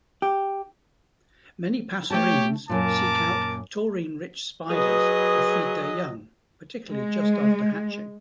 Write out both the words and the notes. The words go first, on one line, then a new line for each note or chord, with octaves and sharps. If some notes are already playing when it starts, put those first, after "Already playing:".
Many passerines seek out taurine-rich spiders to feed their young, particularly just after hatching.
G4
A3 G4 C#5 G5 A5
F#2 A#2 A#4 A5 D6
F#3 G#4 B4 D#5
G#3